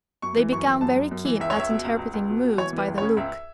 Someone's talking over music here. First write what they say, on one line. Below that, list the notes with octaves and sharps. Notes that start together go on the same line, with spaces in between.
They become very keen at interpreting moods by the look.
F#2 C#6
E3
F#2 C#6
E3
F#2 A5
F#2
F#2
E3
C#2 E5
C#5
C#2 E5
B2
C#2
C#2
C#2
B2
B2
E3 C#5
E3 B4
C#2
C#5
C#3
C#2 E5